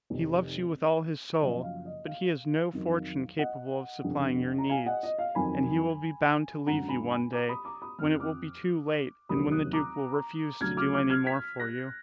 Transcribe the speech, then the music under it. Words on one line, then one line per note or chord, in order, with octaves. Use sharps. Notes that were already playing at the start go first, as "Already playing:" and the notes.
He loves you with all his soul, but he has no fortune capable of supplying your needs, and he will be bound to leave you one day, when it will be too late and when the duke will refuse to do any more for you.
F1 F2 D#3
F#1 F#2 F3 D#5
F5
D#5
F5
F2 D#3 F#3
D#5 F#5
F1 F2 D3
A#5
F5 G#5
D#5 F#5
D#5
F5
F2 D#3 F#3 G#5 B5
G#1 F#2 D3 F#5 A#5
G#5 B5
G#5 B5
A#5 D6
B5 D#6
A#5 D6
B5 D#6
F2 F3 F6
F#6
D6 F6
F1 D#2 D#3 F#3 B5 D#6
D#6 F#6
A#5 D6
D2 D3 F#3 F6 G#6
D6 F6
D6 F6
F6 G#6
G#6 B6
F#6 A#6